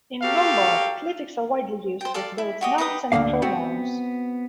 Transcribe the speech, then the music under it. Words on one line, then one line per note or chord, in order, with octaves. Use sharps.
In Lombard, clitics are widely used with both nouns and pronouns.
F#4 G4 A4 A#4 F5
C5 G5
A4 D5 F5
E4
F#4 G4 D#5
D#4 G4 B4 D#6
D2 B2 D3 A#3 F5
B3 C4 F#4